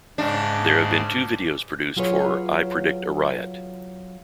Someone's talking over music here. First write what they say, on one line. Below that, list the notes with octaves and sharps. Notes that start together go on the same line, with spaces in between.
There have been two videos produced for "I Predict a Riot".
G#2 C#3 D4
F#3 F4 G#4 B4 C#5